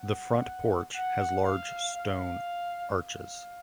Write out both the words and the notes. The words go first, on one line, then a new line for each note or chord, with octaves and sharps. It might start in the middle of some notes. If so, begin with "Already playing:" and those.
The front porch has large stone arches.
Already playing: F#5
F#5
F5
F5
F5